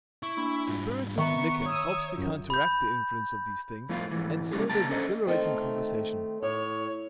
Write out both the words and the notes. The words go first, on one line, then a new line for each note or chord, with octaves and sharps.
Spirituous liquor helps to counteract the influence of these things, and so does exhilarating conversation.
E4 C#6
A#3 D4 B5
G#2 G3 F4
D#3 B3 E5 A#5 C#6
C#5 D#6 E6
F#2 F4
B5 G6
F2 A2 F3 F4
G#2 E3
C3 G3 A3 C#4 G4 G#4
C3 A#3 G5 A5 A#5
C#4 D4 A4 C5 D#5
D#3 A3 C4
A2 C#5